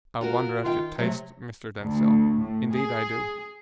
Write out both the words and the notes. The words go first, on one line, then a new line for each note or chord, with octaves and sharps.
I wonder at your taste, Mr. Denzil, indeed I do.
F4 F#4 A#4
D#3 F4 F5 G5
C3 F#3 A3
D2
A2
G#4